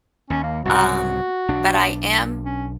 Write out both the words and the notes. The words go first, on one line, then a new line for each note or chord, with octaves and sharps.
um, but I am
D#2 C#4
A#3
C2 G#2 C#3 F#4
B1 D4
C#4